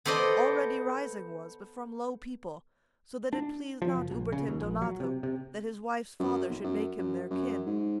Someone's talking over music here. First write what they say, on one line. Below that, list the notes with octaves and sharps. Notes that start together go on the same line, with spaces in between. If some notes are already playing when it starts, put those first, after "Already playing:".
Already rising was, but from low people; So that it pleased not Ubertin Donato That his wife's father should make him their kin.
B3 A4 C5 D5 D#5
D4
F3
F#1
A#1
C#3
D#2
A#1
F#3
C3
C3
F#2
B1
F#2
F#2
F#2
G#2